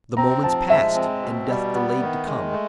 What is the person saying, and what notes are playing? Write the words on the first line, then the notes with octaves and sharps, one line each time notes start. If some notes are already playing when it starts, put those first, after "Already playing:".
The moments passed, and death delayed to come.
C4 A#5
F3 A5
G#3 E5
C4
B2
G3
B3
D#3
G#3
A3